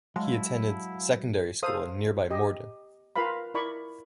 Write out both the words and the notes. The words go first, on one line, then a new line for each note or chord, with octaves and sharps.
He attended secondary school in nearby Morden.
F#3 G#3 E4 F5 F#5 A5
A4 C5 F5 D#6
G4 D#5
F4 A#4 B4 F5 B5
E4 A#4 D5 B5 C#6